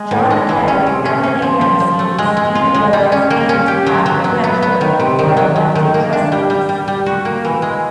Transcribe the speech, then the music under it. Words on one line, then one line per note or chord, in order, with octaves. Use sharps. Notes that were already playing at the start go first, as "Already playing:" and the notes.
John Mackay, Ellen A. Hennessy, Stephen Willets and Catherine Hechler were elected Trustees.
Already playing: G#3
A2
G#3
E3
C#4
C3
C#4
C#4
F3
F3
F3
A3
G#3
G#3
F4
G#3
G3
C#4
A#3
C#4
G4
F#3
F#3
F#3
B3
B3
D#3
C3
D#3
F#3
F#3
D#3
A#3
D4
G3
G3
G3
G3
F#4
A#3
E3
G#3